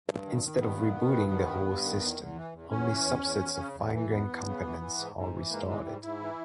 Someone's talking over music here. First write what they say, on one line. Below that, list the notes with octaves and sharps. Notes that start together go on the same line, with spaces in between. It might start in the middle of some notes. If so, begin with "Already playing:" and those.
Instead of rebooting the whole system, only subsets of fine-grain components are restarted.
G2
D#3
D#3
G2 B3
D#3
D#3
G2
D#3
G2
G2
D#3
E2
E2
E3
E2
E2 C#4
E3
E2
E2
E2
C#3
E2
E3
E2 B3
E2
C#3
E3
E3
G#2
G#2
E3
G#2 A#3
E3 G#3
G#2 G3
G#2 E4
E3